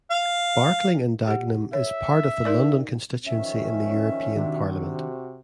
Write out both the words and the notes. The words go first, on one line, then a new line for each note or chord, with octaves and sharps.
Barkling and Dagenham is part of the London constituency in the European Parliament.
F5
G4 F#5
C#5 E5
D#4 A#4 D5
D#3 F3 C#4 E5
C3 D#3 D4 F#4